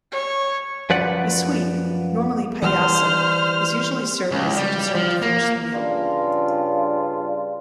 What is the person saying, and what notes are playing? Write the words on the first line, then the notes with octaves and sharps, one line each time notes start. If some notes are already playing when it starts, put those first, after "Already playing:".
A sweet, normally "Paayasam" is usually served as a dessert to finish the meal.
C#5
F#2 F3 B4 D5 F#5
E3 G3 C5 F6
C#2
G3
F3
A#3
G2 C#3 D4 F4